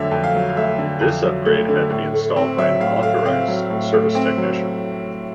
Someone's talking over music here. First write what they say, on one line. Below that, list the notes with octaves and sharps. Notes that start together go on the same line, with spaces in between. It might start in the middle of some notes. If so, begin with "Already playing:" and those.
This upgrade had to be installed by an authorized service technician.
Already playing: F2 D3 F#3 A3 E5
F2
F5
F#3
F5
A3 E5
D3
F2
F#3
A3
D3
A2
A3
C4
F#3 E5
A2 F5
A3 F5
C4 F5
F#3
A2
A3
C4
F#3